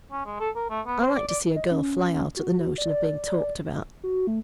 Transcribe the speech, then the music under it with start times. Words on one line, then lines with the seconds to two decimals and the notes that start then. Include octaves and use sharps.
I like to see a girl fly out at the notion of being talked about.
0.12 C#4
0.26 G#3
0.40 A4
0.56 A#4
0.70 A3
0.87 B3
1.01 C5
1.15 D5
1.28 D5
1.56 D#5
1.71 C#4
2.37 F#4
2.78 D5
4.04 F#4
4.27 A3